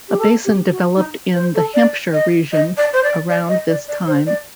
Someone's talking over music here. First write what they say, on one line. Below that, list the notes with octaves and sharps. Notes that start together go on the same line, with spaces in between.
A basin developed in the Hampshire region around this time.
G4
A4
G4
F#4
D#4
C5
A4
D5
D#5
D#5
D5
C5
D5
D5
D#5
D5
D5
C5
D5